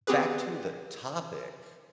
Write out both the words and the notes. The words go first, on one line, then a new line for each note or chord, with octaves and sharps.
back to the topic.
B3 C4 G4 G#4 B4